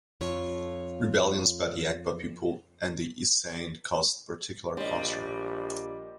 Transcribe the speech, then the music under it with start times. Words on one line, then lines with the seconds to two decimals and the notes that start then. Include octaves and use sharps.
Rebellions by the Egba people and the Iseyin caused particular concern.
0.21 F2 F4 C#5
4.77 A#1 G3 D#5 C6